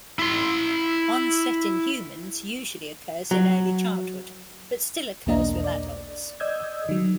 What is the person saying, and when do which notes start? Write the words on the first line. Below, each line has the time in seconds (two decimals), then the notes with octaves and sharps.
Onset in humans usually occurs in early childhood, but still occurs with adults.
0.19 E4 C6
3.31 F#3
5.26 B1 E2 A#3 D4 D#5 A#5
5.64 D5
6.40 D5 D#5 D#6 E6 G6 G#6
6.89 D#3 F#3